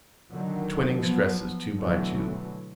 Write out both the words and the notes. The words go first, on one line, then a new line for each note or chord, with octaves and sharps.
The twining stresses, two by two.
D3 D#3 F#3
F3 F#3 B3
B2 D3 E3 F#3 A3